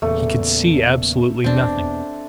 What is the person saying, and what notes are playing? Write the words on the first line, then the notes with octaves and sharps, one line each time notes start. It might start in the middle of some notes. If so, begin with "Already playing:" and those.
He could see absolutely nothing.
E2 A#2 C#3 A3
E2 B2 C4 D4